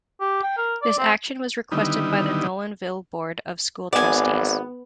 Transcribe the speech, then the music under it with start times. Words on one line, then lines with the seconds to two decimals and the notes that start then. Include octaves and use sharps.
This action was requested by the Nolanville Board of School Trustees.
0.20 G4
0.43 G5
0.57 A#4
0.82 D5
0.98 C4
1.72 D3 D#3 G3 B3 D#4 E4
3.93 G#1 B3 D5 G#5